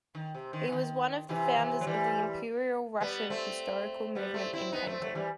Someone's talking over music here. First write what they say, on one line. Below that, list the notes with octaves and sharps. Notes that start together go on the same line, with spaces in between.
He was one of the founders of the Imperial Russian historical movement in painting.
D#3
C3
D#3
E3
D#3
C3 E3
C3 E3
F#3
E3 G3
G3 B3
A3 C4
G3 B3
A3 C4
C4 E4
B3 D#4
A3 C4
F#3 A3
E3 G3